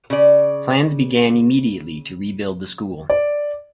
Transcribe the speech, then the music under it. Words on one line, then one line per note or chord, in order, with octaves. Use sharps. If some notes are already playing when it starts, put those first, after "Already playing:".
Plans began immediately to rebuild the school.
C#3 D5
D5